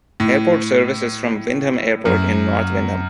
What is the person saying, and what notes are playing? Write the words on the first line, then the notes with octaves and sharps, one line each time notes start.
Airport service is from Windham Airport in North Windham.
A2
F#2